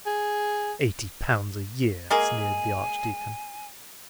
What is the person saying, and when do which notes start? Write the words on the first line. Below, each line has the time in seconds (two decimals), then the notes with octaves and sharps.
"Eighty pounds a year!" sneered the archdeacon.
0.06 G#4
2.10 G#3 A#3 G#4 G#5